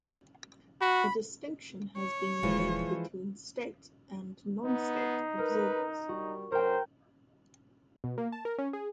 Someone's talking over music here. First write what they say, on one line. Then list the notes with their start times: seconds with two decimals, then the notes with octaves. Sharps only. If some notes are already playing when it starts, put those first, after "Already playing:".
A distinction has been made between state and non-state observers.
0.81 F#4 B5
1.97 C#5
2.43 D#1 E3 F3 G#3
4.65 B3 D#4
4.96 C7 E7
5.38 A#4 B4
6.09 G3 F#4
6.52 F#2 A#4 C5 G5
8.04 B2
8.18 A#3
8.32 A5
8.45 A#4
8.58 C#4
8.73 G#4